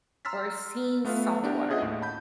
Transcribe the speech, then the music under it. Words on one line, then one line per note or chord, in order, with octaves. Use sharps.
or seen saltwater.
A#5 C6 E6 F6 A6 B6
A3 B3 F4 B4 F5
B3 D4 E4 G4 A#4 F#5
C#4 F4 G#4 D#5 E5 F#5
D#2 A2
A5 B5 G6